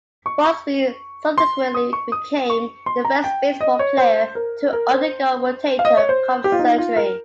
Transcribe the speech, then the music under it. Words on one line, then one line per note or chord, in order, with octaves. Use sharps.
Busby subsequently became the first baseball player to undergo rotator cuff surgery.
C#6
C#6
C6
D#6
C#6
D#6
C#6
C6
A#5
G5
D#5
C#5
C5
A#4
A#4
C5
F5
D#5
C#5
C5
G4
F4
D#4
F4
A#4